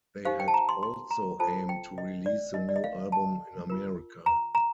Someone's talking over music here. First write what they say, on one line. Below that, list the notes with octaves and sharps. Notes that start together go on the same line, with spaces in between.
They had also aimed to release the new album in America.
D#4 G4 C5 F5
G5
A5
A#5
C6
C6
A#5
F4 A4 C5 A5
G5
D#5
D5
D#4 A#4 D#5
D5
D#5
F5
A5
F4 A#4
A#5
A#5